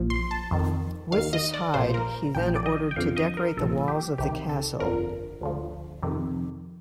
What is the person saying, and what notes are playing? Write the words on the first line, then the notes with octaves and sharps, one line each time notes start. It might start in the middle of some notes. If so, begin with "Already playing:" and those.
With this hide he then ordered to decorate the walls of the castle.
Already playing: A#1 A#2 F3
C6
A5
F2 D#3
D#2 D#3 F5
D#5
D5
A#1 A#2 F3 C5
A#4
A#1 A#2 F3 G5
D5
D#5
G5
F2 D3 F3 F5
D#5
A#4
A#1 A#2 F3 A4
G4
C2 C3 D#3 G4
A4
G1 F2 D3 F3 A#4
D2 D3 F3
F2 C3 D#3